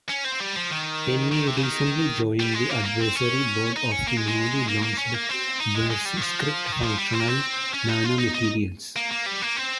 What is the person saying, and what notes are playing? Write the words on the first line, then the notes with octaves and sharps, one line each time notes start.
Tenne recently joined the Advisory Board of the newly launched "Veruscript Functional Nanomaterials".
C#4
C4
G3
F3
D#3
D#3
C3
C#3
D#3
G3
G#3
A#3
A#3
C4
C#4
D#4
C#4
A#3
G#3
G#3
A#3
A#3
C#4
A#3
C4
D#4
G#3
G#3
G3
D#3
F3
D#3
F3
G3
C4
A#3
C4
C#4
D#4
F4
D#4
D#4
A#3
A#3
G3
A#3
C4